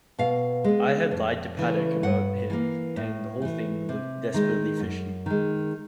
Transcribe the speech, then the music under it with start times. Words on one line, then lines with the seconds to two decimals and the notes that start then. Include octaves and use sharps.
I had lied to Paddock about him, and the whole thing looked desperately fishy.
0.19 B2 F5
0.64 G#3 B3
1.11 F2
1.57 C#3 E3 A3
2.03 G2 F#5
2.50 E3 G3 A#3
2.96 A2
3.42 E3 A3
3.89 C3
4.34 D#3 G#3
4.80 F#2
5.26 D#3 G#3